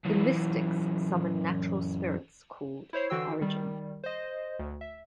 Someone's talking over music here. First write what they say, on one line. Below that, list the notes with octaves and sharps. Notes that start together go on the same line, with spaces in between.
The Mystics summon natural spirits called "Origin".
F#2 E3
E4 C5 C#5 C7
D3 E3 F#4 G5 E6 C7
D#3 G3
C5 D#5
D2
E5